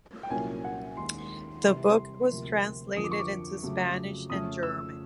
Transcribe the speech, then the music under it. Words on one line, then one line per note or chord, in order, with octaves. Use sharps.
The book was translated into Spanish and German.
G5
C2 A#2 F#3 A#3 C#4 G#5
F#5
D#2 D#3 G#3 C6
C3 E3 G3 C6
D2 C3 F3 A#3
F2 D3 F3 A#3 D#6
D6
C#6
D6
F2 C#3 F#3 A3
F2 C#3 F3 A3 C#4 D#6
E6